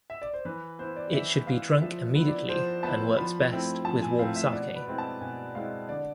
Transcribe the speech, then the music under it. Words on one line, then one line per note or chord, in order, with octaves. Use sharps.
It should be drunk immediately, and works best with warm sake.
E5
D5
C5
E3 B4
B3 E4 C5
D5
E3 E5
B3 E4 F5
F3 E5
B3 E4
D5
F3 C5
B3 E4 A5
F3 B5
A3 C4 E4
F3 A5
G#5
A3 C4 E4 F5
E5
B2 D5
B4
G#3 C4 E4
A5
B2 G#5
G#3 C4 E4 F5
D3 D5